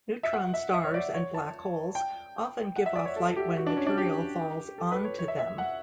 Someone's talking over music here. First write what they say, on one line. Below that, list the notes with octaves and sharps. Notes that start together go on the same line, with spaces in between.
Neutron stars and black holes often give off light when material falls onto them.
E5
F#5
E5
E5
C#5
D5
C#5
A5
G5
F#5
E5
D5
C#5
A4
G4
F#4
D4
C#4
D4
G4
A4
B4
C#5
C#5
E5
E5
F#5